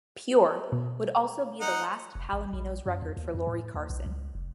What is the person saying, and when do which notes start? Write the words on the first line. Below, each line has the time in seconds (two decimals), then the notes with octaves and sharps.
"Pure" would also be the last Palominos record for Lori Carson.
0.72 B2
1.60 D#4 F#5
2.15 F1
2.33 A1
2.53 A#1
2.86 F#2
3.02 E2
3.17 D#2
3.34 F2
3.47 A2
3.74 D#2
3.90 B1
4.06 C#2
4.35 F1